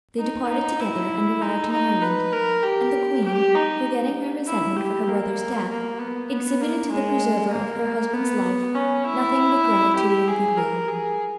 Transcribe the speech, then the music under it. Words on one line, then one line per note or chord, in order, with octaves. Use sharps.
They departed together, and arrived in Ireland; and the queen, forgetting her resentment for her brother's death, exhibited to the preserver of her husband's life nothing but gratitude and good-will.
D#4
D#4
E4
D#4
D#4
B4
A#4
G4
G4
D#4
E4
G4
A#3
A#3
B3
B3
A#3
G#3
A#3
B3
C#4
E4
G4
G#4
A#4
G#4